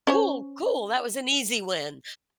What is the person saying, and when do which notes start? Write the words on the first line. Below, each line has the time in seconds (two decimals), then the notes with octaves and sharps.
Cool, cool. That was an easy win."
0.07 C#4 C5 C#5